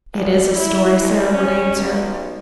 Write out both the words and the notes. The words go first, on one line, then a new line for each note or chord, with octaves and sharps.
"It is a story," Sara would answer.
A1
E4
C2
C#4
B1